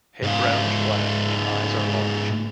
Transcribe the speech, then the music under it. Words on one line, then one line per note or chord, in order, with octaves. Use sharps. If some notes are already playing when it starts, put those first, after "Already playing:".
Head brownish black and eyes are large.
G#2 F4